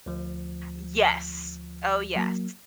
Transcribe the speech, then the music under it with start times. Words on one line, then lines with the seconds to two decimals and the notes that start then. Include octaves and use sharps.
Yes. Oh yes.
0.06 D2 F3
2.16 F#3 A#3